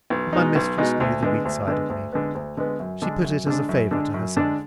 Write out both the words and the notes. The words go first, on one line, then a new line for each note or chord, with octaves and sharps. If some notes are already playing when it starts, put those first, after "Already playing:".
But my mistress knew the weak side of me; she put it as a favour to herself.
B1
B2 G#3 D#4
B1
B2 G#3 D#4
D2
D3 G#3 B3
D2
D3 G#3 B3
D2
D3 G#3 B3
D2
D3 G#3 B3
F#2
D3 G#3 D4
F#2
D3 G#3 D4
F#2
D3 G#3 D4
F#2
D3 G#3 D4